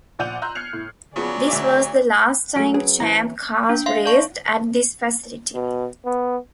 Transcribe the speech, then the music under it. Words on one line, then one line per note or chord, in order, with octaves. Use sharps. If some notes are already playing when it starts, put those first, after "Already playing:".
This was the last time Champ Cars raced at this facility.
A#1 D5 F#5 G6 D#7 F7
A#5 C6 E6 F#6 G6
F6 G#6 C7 C#7 F7
A2
C#3 F3 F#3 B3 G#4 D5
D2 E5 D6
F#3 A3 D7
C#4 G#4 B4
E3 C5 C#5 A#5
D4
E5 F5 C6 C7
D5 F5 A5 C#6
B2
B3